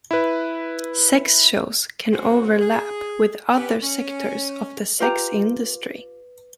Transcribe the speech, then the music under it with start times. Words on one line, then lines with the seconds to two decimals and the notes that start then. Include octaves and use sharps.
Sex shows can overlap with other sectors of the sex industry.
0.11 E4 B4
2.12 C#3 G#3 C4 C#4 F#4 C5
2.61 G#4
3.57 B3 C#4 G4 B4
3.83 C#4
5.00 F4 G4 B4 A#5